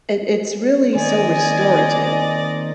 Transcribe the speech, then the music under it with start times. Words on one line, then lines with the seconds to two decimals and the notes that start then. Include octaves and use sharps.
it it's really so restorative,
0.95 D#3 A#3 C4 D5 D#5 G#5